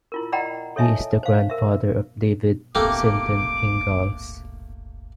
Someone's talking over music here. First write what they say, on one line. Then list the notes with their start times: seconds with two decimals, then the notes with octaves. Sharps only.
He is the grandfather of David Sinton Ingalls.
0.12 E4 F4 A#4
0.32 D5 D#5 F#5 G5 A#5 B5
0.76 A4 C#5 D#5 E5 G#5 A5
1.23 C5 F5
1.50 A#4 E5
2.75 D1 G1 A3 A#3 G4 D6